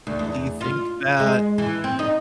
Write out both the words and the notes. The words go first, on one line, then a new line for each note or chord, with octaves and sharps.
Do you think that
D2
E2
F4
G#3
E3
C4
D#4